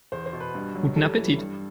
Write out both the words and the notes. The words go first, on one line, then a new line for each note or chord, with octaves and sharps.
Guten Appetit!
E2 C5
C5
B2
B4
G2
F#3
G3 A4
E3
G2